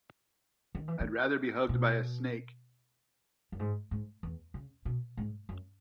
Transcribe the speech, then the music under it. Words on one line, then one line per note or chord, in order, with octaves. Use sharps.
I’d rather be hugged by a snake.
D#3
E3
D#3
B2
F#2
G#2
G#2
E2
C#3
B2
G#2
F#2